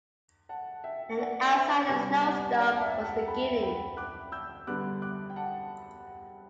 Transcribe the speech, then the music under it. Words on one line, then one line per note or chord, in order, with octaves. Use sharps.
And outside a snowstorm was beginning.
F#5 A5
E5 G5
D5 F#5
C5 E5
C3 G3 B3 B4 D5
D5 F#5
D5 F#5
A5
E5 G5
F#5 A5
G5 B5
G5 B5
D6 F#6
E6 G6
D3 G3 B3 D6 F#6
D6 F#6
G5
F#5 A5